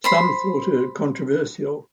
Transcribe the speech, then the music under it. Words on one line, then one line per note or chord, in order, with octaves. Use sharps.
Some thought her controversial.
C5 B5 C6